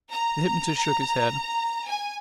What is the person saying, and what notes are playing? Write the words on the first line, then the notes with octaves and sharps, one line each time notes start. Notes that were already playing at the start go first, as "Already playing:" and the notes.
The hypnotist shook his head.
A#5
G#5